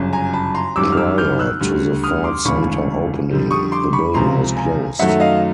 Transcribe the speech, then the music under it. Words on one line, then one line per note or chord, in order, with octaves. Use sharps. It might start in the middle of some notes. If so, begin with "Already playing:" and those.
Prior to the Ford center opening, the building was closed.
Already playing: G1 F#2 C#3
G#5 A#5
A5 B5
A#5 C6
G#1 F#2 D#3 G3 D6 E6
F6
D6 E6
F6 G6
E6 F#6
D2 D3 G3
D#6 F6
C6 D6
E1 D2 C#3 E3 B5 C#6
F2 D3 G3
C#6 D#6
C6 D6
B5 C#6
C#2 C3 F3 A#5 C6
G#5 A#5
F#2 D#3 F#3 A3 E5 F#5
D#5 F5